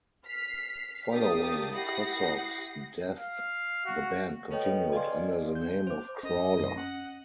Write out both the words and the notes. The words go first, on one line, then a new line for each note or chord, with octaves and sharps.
Following Kossoff's death, the band continued under the name of Crawler.
F6 B6 C7
A#3 D4 G4 D#6 A6
E4 G4 F#5 D#6 A#6 C7
F5
F#4
A4 B4 C#5 D#5 G5
B4
D5 D#5 F5 G#5 C6
G6
C5 D6
C#4 D#5
F#2 C#4
C#4 F#5